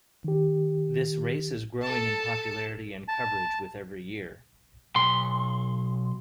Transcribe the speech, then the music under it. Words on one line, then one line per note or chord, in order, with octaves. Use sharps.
This race is growing in popularity and coverage with every year.
D#3 G4
A4 A5
A5
B1 C6